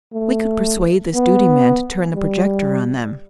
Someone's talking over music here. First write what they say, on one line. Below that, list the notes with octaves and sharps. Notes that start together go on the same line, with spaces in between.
If we could persuade this duty man to turn the projector on them!
A3
B3
G3